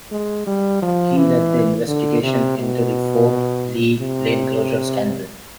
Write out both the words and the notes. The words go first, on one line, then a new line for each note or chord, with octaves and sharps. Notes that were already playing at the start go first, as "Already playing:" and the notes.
He led the investigation into the Fort Lee lane closure scandal.
G#3
G3
F3
E3
D3
C3
B2
C3